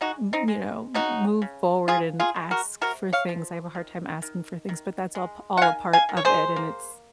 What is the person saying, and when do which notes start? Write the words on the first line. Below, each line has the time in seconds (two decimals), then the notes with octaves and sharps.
m m you know, m move forward and ask for things I have a hard time asking for things, but that's all p all a part of it, and it's
0.01 G#3 D#4 F#4
0.33 C4 D#4
0.48 G#3
0.94 C#3 D#4 F#4
1.42 C#3
1.88 F3 F4 G#4
2.20 F4 G#4
2.36 G#3
2.51 F#4 A#4
2.81 C3 F#4 A#4
3.13 C#5 F5
3.29 F3
3.75 D#3
4.22 D#3
4.69 D#3
5.15 G#3
5.57 F#5
5.62 D#3 F5 G#5
5.93 F5 G#5
6.09 D#3
6.17 C#5
6.25 G#4 C5
6.56 A#3